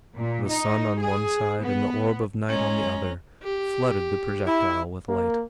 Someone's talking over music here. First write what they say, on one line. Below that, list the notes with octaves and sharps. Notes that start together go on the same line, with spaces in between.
The sun on one side, and the orb of night on the other, flooded the projectile with light.
A#2
D#4
G#4
B3
G#3 C#4 A#5
G4
E4
A#3